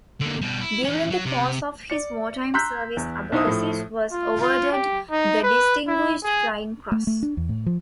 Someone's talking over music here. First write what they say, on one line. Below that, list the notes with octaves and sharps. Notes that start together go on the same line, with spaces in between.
During the course of his wartime service Abecassis was awarded the Distinguished Flying Cross.
D3 A#3
B2 G3
E4
E3 C#4
F#3
C3
D5 C#7
A#5 C6 E6 F#6 G6 B6
E2
B1 D#4 E4 C5 D#6
A2 F3 A3
F4
F4
G4
D#4
B4
E4
G#4
A3
A3
D4
E2
A2
F3